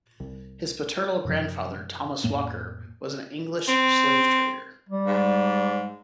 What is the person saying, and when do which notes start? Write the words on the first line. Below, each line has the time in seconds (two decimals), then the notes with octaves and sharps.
His paternal grandfather, Thomas Walker, was an English slavetrader.
0.20 C2
1.25 F#2 C3 F3
2.24 F2 A2 A#3
3.68 C4
4.89 G3
5.06 G#2